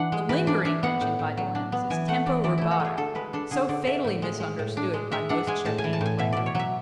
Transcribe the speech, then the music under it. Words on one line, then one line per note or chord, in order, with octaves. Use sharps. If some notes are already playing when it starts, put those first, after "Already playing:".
The "lingering" mentioned by de Lenz is tempo rubato, so fatally misunderstood by most Chopin players.
Already playing: E3 D4 F#5
G#3
E3 B4
D4 D5
D4 E5
B3 F#5
A2
A2
F#3
D4
B3
E3 G#5
A3 F#5
E3 D5
E3 D5
A3 E4
F#4
A3 G#4
D3 A4
G#3 B4
D4 A4
D3 G#4
D3 D5
D3 E5
A2
G#3
G#3
A2
D4
G#3
G#3 E5
D4 F#5
G#3 G#5
A2 A5
G#5
E3
A5
A2 G#5
B2 E5
B2 D5
C#5
F#3 E5